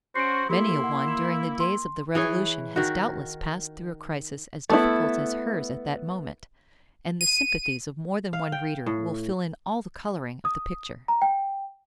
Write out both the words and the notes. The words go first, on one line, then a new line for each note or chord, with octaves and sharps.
Many a one during the days of the Revolution has doubtless passed through a crisis as difficult as hers at that moment, and the sympathies of more than one reader will fill in all the coloring of the picture.
C#4 F#4 C5 C7 D7
A#3 E4 G4 A4 C6
F#5
E7
C6
E3 G#4 C#5
D#3 F#4
A3 B3 E4
D#7
F5
G5
A2
D#6
A#5
G5